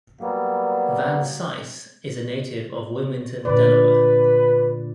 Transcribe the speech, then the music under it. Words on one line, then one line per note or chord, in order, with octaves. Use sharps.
Van Sice is a native of Wilmington, Delaware.
F#3 G3 A#3 B3
A#2 D3 B4 D5